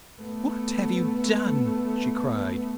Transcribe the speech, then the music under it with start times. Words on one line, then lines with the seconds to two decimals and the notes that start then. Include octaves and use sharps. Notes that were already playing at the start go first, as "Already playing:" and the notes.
'What have you done?' she cried.
0.22 A3 B3